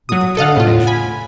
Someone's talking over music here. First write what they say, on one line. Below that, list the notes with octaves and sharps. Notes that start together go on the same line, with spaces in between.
'With determination.
F#3 D#6
A4 D#5 F5 F#5
A2 F4
G#5 B5